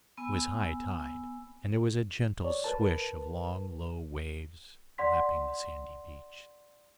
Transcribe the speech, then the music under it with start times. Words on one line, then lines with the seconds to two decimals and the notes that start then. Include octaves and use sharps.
It was high tide, and there was a gentle swish of long low waves lapping the sandy beach.
0.17 B3 G#5 E6
2.44 C#5 D5
2.64 A#4 B4 A5
4.98 D5 F#5 C6 B6